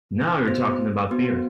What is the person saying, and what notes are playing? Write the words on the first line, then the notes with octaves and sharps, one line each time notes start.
Now you are talking about beer!
B3 F#4 C5
B3 F#4 C5